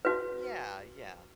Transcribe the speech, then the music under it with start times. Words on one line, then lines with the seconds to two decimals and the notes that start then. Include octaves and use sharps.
Yeah, yeah.
0.05 F#4 B4